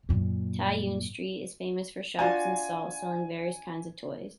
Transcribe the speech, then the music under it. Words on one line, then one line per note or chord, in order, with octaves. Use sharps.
Tai Yuen Street is famous for shops and stalls selling various kinds of toys.
F#2 A#2
D4 F4 F#4 G#5